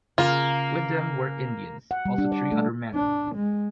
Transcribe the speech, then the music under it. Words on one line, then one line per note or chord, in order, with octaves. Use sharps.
With them were Indians, also three other men.
C#3 A#3 F4
F#5
G3
D4
D5
A3
D4
G#3